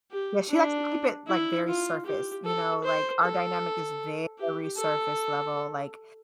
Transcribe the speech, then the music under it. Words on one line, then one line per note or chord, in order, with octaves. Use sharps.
Yeah, she likes to keep it, like, very surface, you know, like, our dynamic is very surface level, like
G4
D4
E4
F4
G4
A4
C5
A4
G4
A4